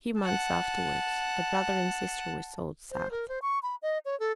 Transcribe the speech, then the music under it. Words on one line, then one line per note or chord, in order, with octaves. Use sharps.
A few months afterwards a brother and sister were sold south.
F#5 A5
C5
A#4
C5
C#6
B5
D#5
C#5
A4